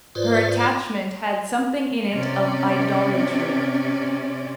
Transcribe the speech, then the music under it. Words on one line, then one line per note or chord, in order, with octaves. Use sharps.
Her attachment had something in it of idolatry.
G#2 F4 B4 C5 D5
C3 C#4 D5